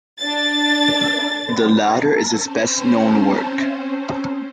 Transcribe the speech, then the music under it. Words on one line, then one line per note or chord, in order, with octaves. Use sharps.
The latter is his best-known work.
D4 A6
C4 C#4 C5